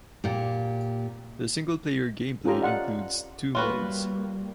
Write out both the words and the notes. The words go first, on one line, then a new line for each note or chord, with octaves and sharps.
The single-player game play includes two modes.
A#2 G4
C#4 F4 G4 A4 A#5
D5 D#5 F5 F#5 C6
G3 A#3 F4 F#4 B4